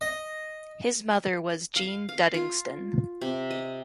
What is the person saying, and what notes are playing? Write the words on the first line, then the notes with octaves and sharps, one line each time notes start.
His mother was Jean Duddingston.
D#5
F5
F5
F4
C3
D#5